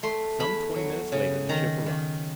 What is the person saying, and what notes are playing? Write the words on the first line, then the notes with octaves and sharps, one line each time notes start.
Some twenty minutes later the ship arrived.
A3 C6
E2 B5
F#3
C#3
D#3 A#5
D#3